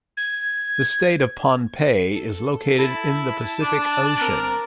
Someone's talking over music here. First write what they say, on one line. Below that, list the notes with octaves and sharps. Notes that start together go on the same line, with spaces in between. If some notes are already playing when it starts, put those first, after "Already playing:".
The state of Pohnpei is located in the Pacific Ocean.
G#6
A4
E4 A5
D4
C4 A#4